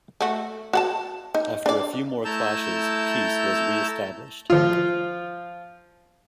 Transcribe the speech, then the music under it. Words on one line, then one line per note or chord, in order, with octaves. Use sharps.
After a few more clashes, peace was reestablished.
A3 F#4
F#4 F#5 A5
D#4
D4 D5
A3 E4 A5 A#5 E6 G6
F3 F4